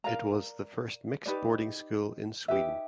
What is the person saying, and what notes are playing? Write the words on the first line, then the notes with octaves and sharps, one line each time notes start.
It was the first mixed boarding school in Sweden.
A#4 D5 F5 A#5
D#4 G4 B4 D5
D#4 G4 B4 E5